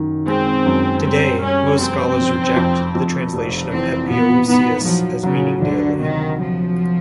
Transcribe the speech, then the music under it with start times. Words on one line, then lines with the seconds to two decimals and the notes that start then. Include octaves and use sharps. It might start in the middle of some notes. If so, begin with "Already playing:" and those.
Today, most scholars reject the translation of "epiousios" as meaning "daily".
Already playing: F#2 D#3
0.27 G#3 C4
0.66 F#2
1.03 G3 C4
1.42 G3 C#4
1.80 F1 C4
2.18 F1
2.56 F2
2.95 F2
3.33 F1
3.70 E3 C4
4.09 A#2 B3
4.48 B3 D#4
4.85 F3 F#3
5.23 C#3 F#3
5.62 D2 D3
6.00 C3 D#3
6.38 F3 F#3